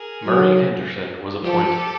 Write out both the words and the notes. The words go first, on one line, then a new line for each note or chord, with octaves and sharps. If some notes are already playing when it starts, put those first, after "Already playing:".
Murray Henderson was appointed.
Already playing: G#4 A#4
F#3
F3 G4 A4